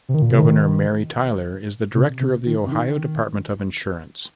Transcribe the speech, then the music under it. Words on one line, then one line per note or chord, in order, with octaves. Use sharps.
Governor Mary Taylor is the director of the Ohio Department of Insurance.
C3
D#3
A#2
C3
D#3
C3
C3
D#3
C3
D#3